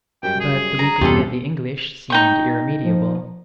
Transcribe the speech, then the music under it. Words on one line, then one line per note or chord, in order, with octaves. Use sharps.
But the weakening of the English seemed irremediable.
F#2 G3 G5
G#4
A#5
E2 G2 B2 G3 C#4 F4 G4 A4
D#4 G5 C#6
F3